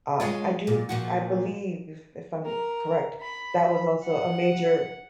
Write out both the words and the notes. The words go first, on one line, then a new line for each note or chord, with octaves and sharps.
Um, I do n I believe, if I'm correct, that was also a major
G#3 C#4 F4
A#2
A#2 F3 F#4
A#4
B5
F#5